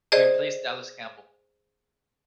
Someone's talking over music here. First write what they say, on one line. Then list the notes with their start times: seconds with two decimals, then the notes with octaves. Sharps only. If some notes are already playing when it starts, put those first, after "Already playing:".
He replaced Dallas Campbell.
0.12 G#4 C5 D5 D#5